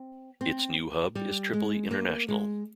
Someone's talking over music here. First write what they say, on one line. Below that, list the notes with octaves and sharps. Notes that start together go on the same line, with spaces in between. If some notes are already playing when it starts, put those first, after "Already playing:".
Its new hub is Tripoli International.
Already playing: C4
C4
G3
G#3
A#3
G#3